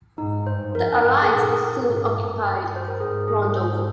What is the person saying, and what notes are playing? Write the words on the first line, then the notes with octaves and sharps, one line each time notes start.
The allies soon occupied Brondolo.
G#2 D#4
G2 C5
F2 A#4
D#4
G2
G#4
A#2 A#4
G#2
G2
G2
C5
A#4
G#2 G#4
G#4
C5